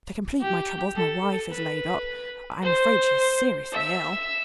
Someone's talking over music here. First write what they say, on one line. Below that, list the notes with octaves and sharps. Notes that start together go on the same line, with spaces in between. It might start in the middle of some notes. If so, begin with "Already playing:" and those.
To complete my troubles, my wife is laid up; I am afraid she is seriously ill.
G4
A4
B4
C5
E5